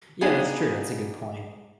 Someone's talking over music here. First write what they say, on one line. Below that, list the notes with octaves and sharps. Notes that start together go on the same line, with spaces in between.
Yeah, that's true. That's a good point.
B3 D4 D#4 G#4 F5 G5